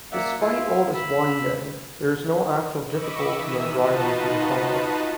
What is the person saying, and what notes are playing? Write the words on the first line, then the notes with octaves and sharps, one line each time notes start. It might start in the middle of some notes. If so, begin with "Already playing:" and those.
Despite all this winding, there is no actual difficulty in driving through the tunnel.
A#3 D5 E5 F#5
E4 F4
B5 E6
D#5 B5 C#6 D6 E6
D#3 E3 E5 D#6 E6
D#4 F4 F#4 B4 D#5 A5